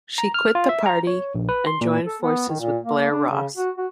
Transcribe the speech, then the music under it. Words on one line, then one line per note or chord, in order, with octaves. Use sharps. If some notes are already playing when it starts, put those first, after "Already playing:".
She quit the party, and joined forces with Blair Ross.
A#5
F6
F4
E5
A#5
C#5
A#1
B4
C6
A#2
A4
B3
D#3
A#2
A#3
D4
C#3
F#4
F#4